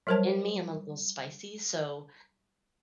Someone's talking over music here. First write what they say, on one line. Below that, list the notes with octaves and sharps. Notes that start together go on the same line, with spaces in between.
in me. I'm a little spicy, so
F#3 G3 A#4 C5 C#5 A5